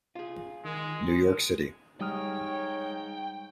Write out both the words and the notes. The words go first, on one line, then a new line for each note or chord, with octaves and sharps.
New York City.
F4 G#4
D#3 G#3
G#2 G3 C#5 G5 D#6 F6